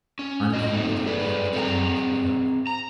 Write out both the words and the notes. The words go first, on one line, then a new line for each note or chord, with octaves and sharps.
I’m going to take the afternoon off work.
C#4
F4 F#4 D#5
A3 A#3 C4 D#4
G#4 A4 B4 D5
C4 G#4 A4 E5 F#5 A#5
A#5